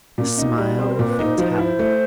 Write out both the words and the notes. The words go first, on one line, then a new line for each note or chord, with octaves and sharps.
The smile of Fatality!
A#2 C#4
C#4 D#4
F#4
G3
C4 G#4
B4
A#4
A#2
B4
D#4 C5
F3 C5
B4
E4 C5
A3